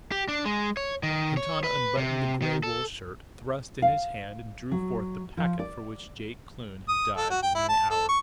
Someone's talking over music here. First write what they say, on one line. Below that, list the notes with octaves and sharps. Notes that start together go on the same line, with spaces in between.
Quintana unbuttoned the grey wool shirt, thrust in his hand and drew forth the packet for which Jake Kloon had died within the hour.
G4
D4
G#3
C#5
D#3
C#5
B4
C3
D#3
A4
F5
F#3
F3
D5
D#6
A4
F#4
G5
E4
A5
A4
C#6